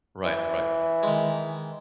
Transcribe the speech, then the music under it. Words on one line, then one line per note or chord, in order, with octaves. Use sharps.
Right, right.
E3
D#3 G#3